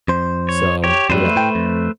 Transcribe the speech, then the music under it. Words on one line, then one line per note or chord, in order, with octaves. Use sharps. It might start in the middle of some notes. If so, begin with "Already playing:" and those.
so yeah.
F2 C5
C#5
G4 C#5
F2 F#3 G3 A3 B4 C5
A2 G5
F2